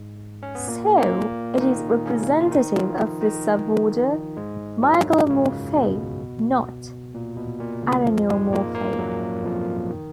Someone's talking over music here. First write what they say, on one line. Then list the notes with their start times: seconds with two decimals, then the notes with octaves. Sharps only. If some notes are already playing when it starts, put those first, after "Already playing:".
So it is a representative of the suborder Mygalomorphae, "not" Araneomorphae.
Already playing: G#2 G#3
0.43 C#4
0.55 B3
0.67 A#2 A#3
0.98 A#2 A#3
1.60 D#3 D#4
2.05 C#3 C#4
2.41 F4
2.52 D#3 D#4
2.75 F3 F4
3.21 D#3 D#4
4.37 G#2 G#3
4.82 F#2 F#3
5.28 C#2 C#3
5.75 B2
7.14 A#2
7.37 B2
7.60 A#2
7.82 C#2 C#3
8.06 F2 F3
8.29 G#2 G#3
8.52 A#2 A#3
8.75 A#2 A#3
8.99 F#2 F#3
9.44 F2 F3
9.90 D#3